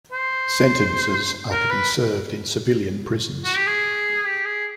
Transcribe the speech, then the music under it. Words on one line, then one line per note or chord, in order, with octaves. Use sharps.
Sentences are to be served in civilian prisons.
C5
A#4
B4
F#4
G4
G#4
G4
G#4